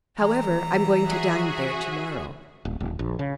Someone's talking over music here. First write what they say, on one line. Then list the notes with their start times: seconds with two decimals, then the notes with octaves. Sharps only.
"However, I'm going to dine there to-morrow."
0.18 E3 A#5
1.06 F#4 G#4 E5
2.65 D1
2.80 D#1
2.99 A#1
3.19 C#3